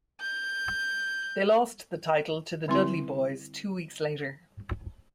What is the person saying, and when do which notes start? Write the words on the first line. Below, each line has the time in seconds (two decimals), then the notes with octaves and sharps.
They lost the title to the Dudley Boyz two weeks later.
0.21 G6
2.68 D3 G3 C4 E4 C6